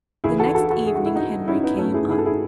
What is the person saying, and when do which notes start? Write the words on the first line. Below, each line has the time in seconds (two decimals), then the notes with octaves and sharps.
The next evening Henry came up.
0.24 C#2 C#3 E3 E4 G#4
0.39 F#4 A4
0.54 F#4 A4
0.70 F#4 A4
0.86 G#4
0.96 F#4
1.06 E4
1.16 D#4 F#4
1.48 C#4 E4
1.63 B3 D#4
1.79 A3 C#4
1.94 E4 G#4
2.09 E4 G#4
2.18 A4
2.25 E4 G#4